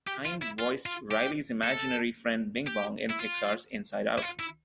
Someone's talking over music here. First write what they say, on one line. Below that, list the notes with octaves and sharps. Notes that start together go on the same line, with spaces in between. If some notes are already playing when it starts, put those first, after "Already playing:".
Kind voiced Riley's imaginary friend Bing Bong in Pixar's "Inside Out".
G4
F4
E4
F4
F4
G4
A4
G4
E4
F4
E4
F4
E4